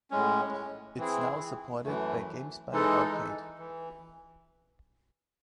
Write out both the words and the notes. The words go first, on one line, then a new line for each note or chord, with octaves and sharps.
It's now supported by GameSpy Arcade.
A2 G#3 C#4
E3 C4 E4 G#4
F#2 E3 A3
E3 G#3 D#4 A4
E3